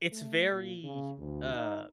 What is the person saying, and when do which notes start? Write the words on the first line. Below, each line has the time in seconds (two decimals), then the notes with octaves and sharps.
It's very, uh,
0.12 A3
0.52 A#2
0.84 C#3
1.19 D2
1.54 D#4